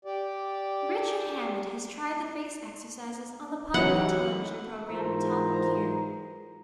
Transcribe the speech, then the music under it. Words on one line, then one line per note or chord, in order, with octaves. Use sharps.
Richard Hammond has tried the face exercises on the popular television program Top Gear.
G4 D5
E3 F#3 C#4 D#4 F#5
G#2 E3 F4 A#4 C5 A#5